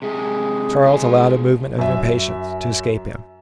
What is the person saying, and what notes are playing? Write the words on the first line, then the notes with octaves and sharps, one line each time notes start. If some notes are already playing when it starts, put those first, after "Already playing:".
Charles allowed a movement of impatience to escape him.
C3 G#3 G#4
G#2 F4
F#2 E5